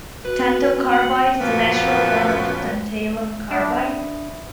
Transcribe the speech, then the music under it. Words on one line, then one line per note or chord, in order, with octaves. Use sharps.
Tantalcarbide is a natural form of tantalum carbide.
F#4 B4
F#5
F#2 A#2 F3 B3 C#4
D4 E5 B5 D#6